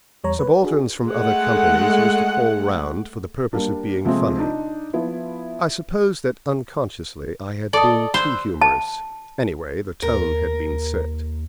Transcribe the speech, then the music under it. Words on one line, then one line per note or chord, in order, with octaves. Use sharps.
Subalterns from other companies used to call round for the purpose of being funny; I suppose that unconsciously I had been too humorous--anyway, the tone had been set.
E2 G3 C#5 A#5
B4
D4 F#4 G#4
G#3 A3 F#5
G3 A#3 D4
C3 F3 G#3 A3 C4
D4 D#4
F3 B3 E4
A4 D5 D#5
B4 C5 E6
A5
D#2 A#4